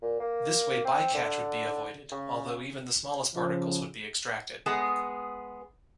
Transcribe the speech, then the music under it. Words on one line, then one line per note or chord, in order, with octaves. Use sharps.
This way bycatch would be avoided, although even the smallest particles would be extracted.
A#2
A#3
C4
D3
C#3
C#3 F3
G#3 B3 G#4